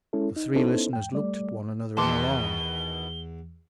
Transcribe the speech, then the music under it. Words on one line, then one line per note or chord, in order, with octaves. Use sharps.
The three listeners looked at one another in alarm.
G#3 C#4 E4 A4
D#4
B3 C#4 D#4 E4 A4 C5
E2 G#2 G5
G3 A3 D5
E2 B2 D#3 E3 A5 C6 D6 G7